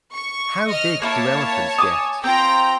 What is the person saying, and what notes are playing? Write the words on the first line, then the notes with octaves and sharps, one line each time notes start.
How big do elephants get?
C#6
D#5 F6
A#3 E4 C#5 A5
G#5 D6 D#6
C4 F4 G5 A#5